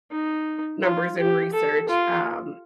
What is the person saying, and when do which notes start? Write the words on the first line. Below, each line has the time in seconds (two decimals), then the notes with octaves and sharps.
numbers and research, um,
0.11 D#4
0.82 F4
1.18 G4
1.53 A4
1.89 F4